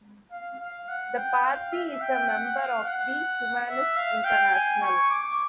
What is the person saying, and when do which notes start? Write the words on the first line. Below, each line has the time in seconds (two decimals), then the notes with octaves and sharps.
The party is a member of the Humanist International.
0.32 F5
0.60 F5
0.88 F#5
1.17 G5
1.44 F5
1.72 E5
2.01 G5
2.28 F#5
2.57 F5
2.85 F#5
3.69 E5
3.96 F5
4.25 G5
4.53 G#5
4.82 C#6
5.10 D6